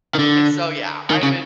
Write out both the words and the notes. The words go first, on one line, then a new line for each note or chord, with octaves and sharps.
and so, yeah, I would
D#3
D3
D#3
C#3